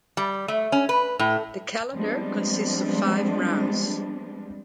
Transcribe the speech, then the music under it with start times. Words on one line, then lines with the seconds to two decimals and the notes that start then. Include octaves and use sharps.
The calendar consists of five rounds.
0.17 G3
0.48 A3
0.72 C#4
0.89 B4
1.19 A2
1.94 F3 G3 G#3 B3 C4 D4